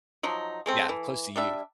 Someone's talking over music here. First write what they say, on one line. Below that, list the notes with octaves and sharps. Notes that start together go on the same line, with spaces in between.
Yeah, close to you.
F3 F#3 D#4
G#3 A3 C4
E3
G3 D4 E5